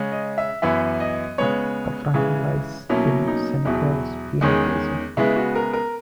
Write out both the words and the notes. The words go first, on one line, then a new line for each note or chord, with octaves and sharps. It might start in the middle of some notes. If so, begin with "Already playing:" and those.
Kaffrine lies in Senegal's Peanut Basin.
Already playing: C#3 G#3 C#4
D#5
E5
F#2 E3 B3 E5
D#5
C#3 G#3 B3 C#5
C#3 E3 G#3
B2 F#3 A#3 C#4 E4
D#4
E2 B2 F#3 E4
E2 D#3 G#3 C#4
C#3 G#3 B3 E4
F#4
A#4
A#4